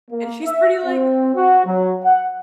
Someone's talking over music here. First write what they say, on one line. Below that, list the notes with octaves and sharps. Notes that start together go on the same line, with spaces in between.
and she's pretty like
A#3
E5
C4
F#4
F#3
F#5